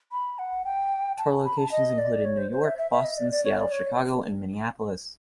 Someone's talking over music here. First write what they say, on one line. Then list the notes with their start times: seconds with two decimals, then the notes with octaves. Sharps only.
Tour locations included New York, Boston, Seattle, Chicago, and Minneapolis.
0.12 B5
0.39 F#5
0.65 G5
1.18 A5
1.45 B5
1.58 A5
1.72 D#5
1.98 D5
2.25 C#5
2.38 C5
2.52 C5
2.65 E5
2.78 E5
2.91 E5
3.04 D#5
3.18 D5
3.31 D5
3.45 C#5
3.59 D5
3.72 C#5